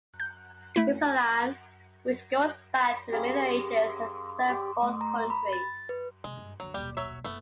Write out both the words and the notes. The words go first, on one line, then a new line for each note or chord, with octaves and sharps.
This alliance, which goes back to the Middle Ages, has served both countries.
G6
A3 E4 B6
G3 A#3 C#4 G#4
G4 D5
A3
A#5
B5
A6
B4
C3 G#3
G2
D2 D3 F#3
D#1 B1 G3 G4
F#3 C#5 E5
F#1 A3 B3